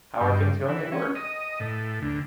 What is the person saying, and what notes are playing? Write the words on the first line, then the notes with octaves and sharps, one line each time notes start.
How are things going at work?
G2
E3
C#4
D#5
A2
D2